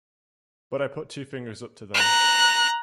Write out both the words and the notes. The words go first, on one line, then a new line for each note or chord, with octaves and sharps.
But I put two fingers up to them.
A#5 F#6